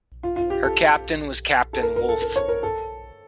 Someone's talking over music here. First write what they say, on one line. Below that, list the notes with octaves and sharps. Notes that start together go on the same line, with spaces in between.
Her captain was Captain Wulff.
F4
F4
G4
A4
A4
A#4
A#4
A4
A#4
C#5
A#4
A4